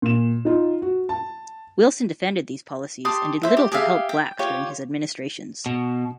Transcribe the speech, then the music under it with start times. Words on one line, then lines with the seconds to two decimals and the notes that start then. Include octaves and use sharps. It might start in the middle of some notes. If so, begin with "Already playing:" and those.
Wilson defended these policies and did little to help blacks during his administrations.
0.02 A#2 E7
0.45 D#4 F4
0.82 F#4
1.09 A5
3.05 G4 A5 C6 D#6
3.43 C5 E5
3.57 G4
3.72 G4 G#4 E5 F5
4.09 G5
4.39 F4 G4 C#5
5.66 B2